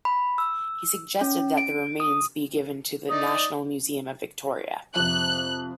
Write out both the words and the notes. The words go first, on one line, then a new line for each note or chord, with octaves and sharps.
He suggested that the remains be given to the National Museum of Victoria.
B5
E6
C#4
D7
D#6
D#4 D5 D#6
F2 C3 F#6